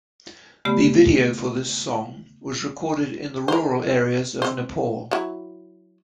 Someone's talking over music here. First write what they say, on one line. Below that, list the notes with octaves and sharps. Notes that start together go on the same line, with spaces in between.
The video for this song was recorded in the rural areas of Nepal.
C#3 A3 B3 G4 D5 B5
A#4 C5
C4 C5
F#3 E4